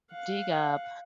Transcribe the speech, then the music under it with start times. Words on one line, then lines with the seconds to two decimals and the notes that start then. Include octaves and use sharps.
dig up
0.11 F5 F#5